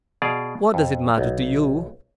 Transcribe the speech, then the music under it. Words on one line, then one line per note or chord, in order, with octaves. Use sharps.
"What does it matter to you?"
B2 G#4 D5 F5
F2
B1